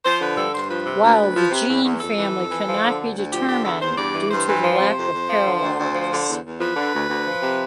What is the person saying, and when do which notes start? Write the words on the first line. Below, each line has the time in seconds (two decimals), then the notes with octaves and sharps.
While the gene family cannot be determined due to the lack of paralogs.
0.04 F3 C5
0.21 D3 B4
0.37 G2 A4
0.53 G2 C5
0.70 F3 B4
0.86 C3
1.03 D2
1.19 D2
1.35 F3
1.51 C3
1.68 E2
1.85 E2
2.00 F2 A4
2.17 E3
2.33 F2
2.50 E3
2.67 F3
2.83 D3
2.99 D2
3.16 D2
3.32 F3 G4
3.48 D3 G4
3.65 E2 A4
3.81 E2 C5
3.97 G2 D5
4.13 E3
4.30 G2 C5
4.47 E3
4.63 F3 C5
4.79 C3
4.95 F2
5.12 F2
5.29 F3
5.45 D3
5.61 D2
5.78 D2
5.95 F3
6.11 D3
6.27 E2
6.43 E2
6.60 F3 B4
6.76 D3
6.93 D2
7.09 D2
7.25 F3
7.42 C3